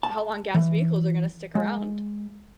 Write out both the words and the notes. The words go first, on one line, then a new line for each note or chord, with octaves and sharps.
How long gas vehicles are gonna stick around,
A5
E3
G#3